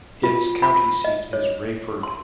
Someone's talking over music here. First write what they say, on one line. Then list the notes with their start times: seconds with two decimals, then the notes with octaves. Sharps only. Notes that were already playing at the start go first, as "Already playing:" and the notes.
Its county seat is Raeford.
0.24 F4
0.62 B5
1.05 D#5
1.33 C#5
2.03 C6